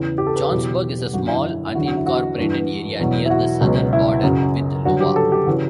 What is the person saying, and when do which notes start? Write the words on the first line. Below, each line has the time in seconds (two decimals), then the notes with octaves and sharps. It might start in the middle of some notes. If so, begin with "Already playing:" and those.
Johnsburg is a small unincorporated area near the southern border with Iowa.
Already playing: E2 C#3 E3
0.18 G4
0.27 A4
0.36 B4
0.51 E2 B2 F#3 G4
1.13 F#2 D3 F#3 F#4
1.29 E4
1.66 E4
1.75 E2 D3 F#3 F#4
1.85 F#4
1.97 E4
2.06 F#4
2.38 G2 E3
2.99 E2 B2 F#3
3.26 E4
3.30 F#4
3.61 C#2 B2 F#3
3.93 E4
4.23 F#2 C#3 F#3
4.85 G2 D3 F#3 F#4
5.01 G4
5.16 A4
5.32 G4
5.47 C#3 E3 F#4